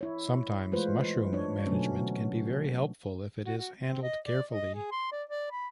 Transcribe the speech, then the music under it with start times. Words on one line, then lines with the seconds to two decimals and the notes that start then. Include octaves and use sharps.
Sometimes, mushroom management can be very helpful if it is handled carefully.
0.01 E4 C#5
0.72 E3 G#3 A3 F4 B4 C5
1.33 D4 C#5
1.67 B2 D3 F#3 A3 C#4
3.46 F#4
3.58 F#4
3.78 C4
4.02 D#5
4.26 D5
4.49 D#5
4.75 G#4
4.92 C6
5.12 D5
5.30 D5
5.52 B5